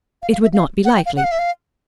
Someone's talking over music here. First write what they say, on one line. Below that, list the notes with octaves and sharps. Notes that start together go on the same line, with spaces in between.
It would not be likely.
F5
F5
E5
F5
F#5
G5
F5
F#5
F5
E5
F5